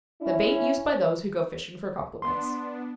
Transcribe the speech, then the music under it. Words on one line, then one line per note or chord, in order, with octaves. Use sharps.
The bait used by those who go fishing for compliments.
C#4 E4
B3 D4 C6